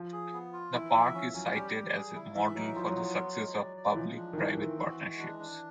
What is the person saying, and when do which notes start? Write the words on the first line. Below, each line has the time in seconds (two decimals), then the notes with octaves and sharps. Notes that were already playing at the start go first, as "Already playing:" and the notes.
The park is cited as a model for the success of public-private partnerships.
Already playing: F3
0.13 G#4
0.33 B3
0.53 F4
0.73 E3 E4
0.94 F3 E5
1.14 E3 C#4
1.34 F#3 C#4
1.54 G3 G4
1.75 G4
1.95 G#4
2.15 E4
2.35 E3 E5
2.55 F#3 D#4
2.76 F3 F4
2.89 F#3
2.96 B3
3.03 F#3
3.16 F4
3.37 G#3
3.57 D5
3.77 D5
3.93 E3
3.97 F3 G#3
4.17 D4
4.33 D#3
4.38 E3 A3
4.57 D#3 C4
4.78 E3 F#4
4.99 G#3
5.19 D4
5.39 D4